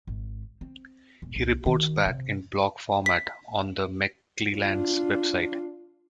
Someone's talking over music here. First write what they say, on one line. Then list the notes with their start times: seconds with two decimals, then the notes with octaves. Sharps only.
He reports back in blog format on the McClelland's website.
0.07 G#1
0.61 C4
1.22 E1
1.36 C2
1.66 D#3
2.06 C3
3.06 B6
4.56 D4 F4